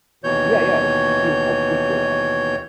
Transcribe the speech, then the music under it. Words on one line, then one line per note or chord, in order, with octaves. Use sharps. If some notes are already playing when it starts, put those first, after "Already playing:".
Yeah, yeah, it's a beautiful creature, though.
D#2 B2 E3 C#5 G6